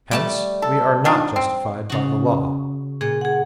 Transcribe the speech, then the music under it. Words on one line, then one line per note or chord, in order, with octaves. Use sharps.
Hence, we are not justified by the Law.
G3 A3 A5
A4
F3 D4 D#4
C4
C#3 F#4
A#2 G#4
G#4 F#5